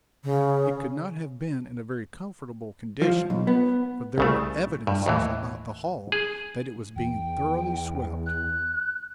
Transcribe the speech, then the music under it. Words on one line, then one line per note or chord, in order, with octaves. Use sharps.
It could not have been in a very comfortable condition, for there were evidences about the hall that it was being thoroughly swept.
C#3
F3
B1
B3
C2 C#3 A3
G2
D#2 A2 E3
G#4
E2 G5
F#6